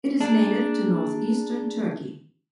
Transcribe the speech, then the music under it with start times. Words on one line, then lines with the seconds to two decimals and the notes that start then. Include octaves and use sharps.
It is native to northeastern Turkey.
0.21 A#3 D4 G#4